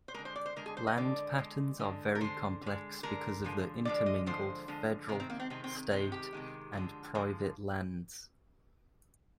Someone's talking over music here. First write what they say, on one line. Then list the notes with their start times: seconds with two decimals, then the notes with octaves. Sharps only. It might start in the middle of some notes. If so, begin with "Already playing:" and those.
Land patterns are very complex because of the intermingled federal, state, and private lands.
0.08 C5
0.14 G#3 A#4
0.19 D3
0.25 C5
0.36 D5
0.46 C5
0.56 D3 G#3 A#4
0.66 G#4
0.77 C5
0.87 D#5
0.97 D3 G#3 D5
1.38 D3 G#3
1.80 D3 G#3
2.15 A#4
2.21 D3 G#3 C5
2.62 D3 G#3
3.03 D3 G#3 A#4
3.44 D3 F3 G#3
3.85 D3 F3 G#3 D5
4.06 D#5
4.26 D3 F3 G#3 C5
4.68 D3 F3 G#3
5.09 C3 D#3 G#3 A#4
5.20 C4
5.30 A#3
5.40 C4
5.50 C3 D#3 G#3 C4
5.64 C4
5.91 C3 D#3 G#3 C4
6.12 G4
6.33 C3 D#3 G#3
6.73 D3 F3 G#3
7.15 D3 F3 G#3 A#4